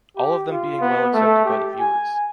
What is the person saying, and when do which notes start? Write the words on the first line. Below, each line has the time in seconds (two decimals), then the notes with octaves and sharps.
All of them being well accepted by the viewers.
0.17 G4
0.52 F4
0.81 B3
1.14 A3
1.45 G4
1.80 G#5